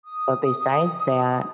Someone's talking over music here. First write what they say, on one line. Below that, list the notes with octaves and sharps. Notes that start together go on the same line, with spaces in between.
but besides that,
D#6